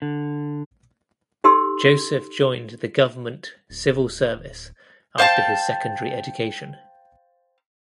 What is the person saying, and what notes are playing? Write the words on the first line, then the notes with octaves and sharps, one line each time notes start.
Joseph joined the government civil service after his secondary education.
D3
D#4 G4 A4 C6 E6
D1
C5 F5 G5 A5